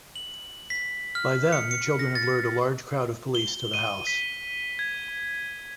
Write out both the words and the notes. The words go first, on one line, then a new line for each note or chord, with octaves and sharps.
By then, the children have lured a large crowd of police to the house.
F#7
B6
F6
C#7
C#7
A#6
A6
G7
D#7
B6
G#6